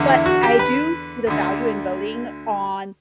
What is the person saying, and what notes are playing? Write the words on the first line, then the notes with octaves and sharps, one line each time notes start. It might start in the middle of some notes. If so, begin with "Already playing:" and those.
but I do the value in voting on,
Already playing: E2 D3
E4
F#4
G4
B4
D2 D3